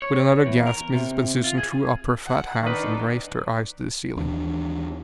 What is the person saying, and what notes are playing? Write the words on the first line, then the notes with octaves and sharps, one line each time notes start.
With another gasp Mrs. Bensusan threw up her fat hands and raised her eyes to the ceiling.
C#5
E2
A#4
C3
F4
G#4
F#5
D#3 D4 D#4 B4 D5
D#2 E3 D4